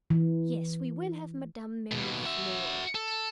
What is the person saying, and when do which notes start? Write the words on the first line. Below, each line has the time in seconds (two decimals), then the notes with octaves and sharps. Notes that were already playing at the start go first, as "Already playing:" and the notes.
Yes, we will have Madame Mirliflore.
0.10 E3
1.92 D#2 B2
2.26 F#4 E5
2.95 A4